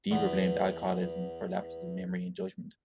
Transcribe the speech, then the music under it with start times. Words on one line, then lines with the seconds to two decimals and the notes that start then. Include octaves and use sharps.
Deaver blamed alcoholism for lapses in memory and judgment.
0.11 E2 B3